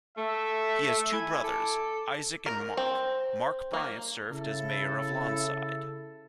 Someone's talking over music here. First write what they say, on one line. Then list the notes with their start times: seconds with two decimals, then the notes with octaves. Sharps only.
He has two brothers, Isaac and Mark; Mark Bryant served as mayor of Lawnside.
0.17 A3 E5
1.12 E4 G#5
1.44 A4 D6
2.46 A#4
2.77 C4
3.73 A#3
4.31 C#3 E4 A4